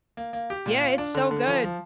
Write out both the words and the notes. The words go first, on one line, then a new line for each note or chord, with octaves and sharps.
Yeah, it's so good.
A#3
A#3
G4
A#2
F4
D4
D3
D3
F3
F3